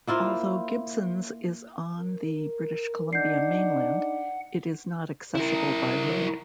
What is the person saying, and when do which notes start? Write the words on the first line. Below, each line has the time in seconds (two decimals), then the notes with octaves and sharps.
Although Gibsons is on the British Columbia mainland, it is not accessible by road.
0.07 A#3 E4 F4 C5
1.99 A#4
3.13 D4 D#4 F#5 G6 C7
5.36 E4 A#4